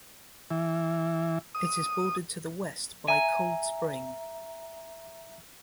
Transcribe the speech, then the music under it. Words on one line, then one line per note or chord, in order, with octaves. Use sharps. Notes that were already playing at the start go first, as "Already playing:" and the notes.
It is bordered to the west by Cold Spring.
E3
D#6
E5 G#5 A#5